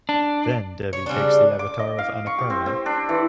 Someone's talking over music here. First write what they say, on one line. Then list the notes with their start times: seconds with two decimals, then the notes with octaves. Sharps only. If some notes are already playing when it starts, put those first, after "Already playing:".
Then Devi takes the avatar of Annapurna.
0.09 D4
0.93 C#5
1.06 C#3 G3 C4 D4
1.59 D6
1.79 D#5
1.98 F5
2.27 C#6
2.38 G4
2.50 C4
2.66 C4
2.86 D4
3.09 E3